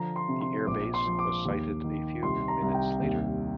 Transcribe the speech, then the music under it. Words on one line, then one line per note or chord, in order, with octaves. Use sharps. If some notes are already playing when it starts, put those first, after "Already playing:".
The air base was sighted a few minutes later.
Already playing: D3 F3 A#5
C6
C3
C6
A#1 D6
C6
F3
D6
D#2
D#3
C2 C6
A#5
C2
G5
D#2